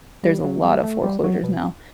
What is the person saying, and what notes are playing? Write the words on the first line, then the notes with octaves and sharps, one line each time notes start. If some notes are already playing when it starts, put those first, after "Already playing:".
there's a lot of foreclosures now,
G3
F#3
G3
A3
G3
F#3
B2